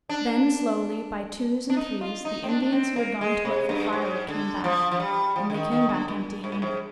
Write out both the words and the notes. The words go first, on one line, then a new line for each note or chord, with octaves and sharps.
Then slowly, by twos and threes, the Indians who had gone to look for firewood came back, and they came back empty-handed.
D4
D4
D#4
F4
D#4
C4
D4
D4
C4
A#3
G#3
C3
G2
G#2
D3
F3
F3
G3
F3
D3
D#3
D#3
D3
A#2
G#2
A#2
G#2